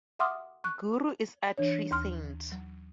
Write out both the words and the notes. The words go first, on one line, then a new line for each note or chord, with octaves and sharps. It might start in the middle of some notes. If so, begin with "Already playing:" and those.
Guru is Atri saint.
E5 F#5 C6 D6 D#6 F6
C#6 F#6
E3 D4 C#5
D#2 C6 F6
F#3